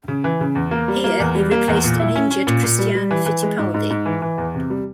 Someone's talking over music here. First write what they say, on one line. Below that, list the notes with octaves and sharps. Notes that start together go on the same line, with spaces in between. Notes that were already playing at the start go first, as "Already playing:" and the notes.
Here, he replaced an injured Christian Fittipaldi.
C#3
E3
C#3
E2
A#3
G3
A#3
E2
G3
A#3
E2
A#2
E4
C#4
C#4
A#2
A#2
G3
G3
E3
E3
G#3
G#2
G#2
G#2
E3
E3
E2
C3
G3